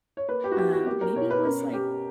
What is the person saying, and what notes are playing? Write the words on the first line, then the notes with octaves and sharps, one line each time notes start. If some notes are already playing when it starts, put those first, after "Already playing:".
Um, maybe it was, like,
C#5
A#3 B4
G4
F#4
E4 G4
F#4
A#3 G4
A#4
B2 C#5
B4
C#4 A#4
C#4 G4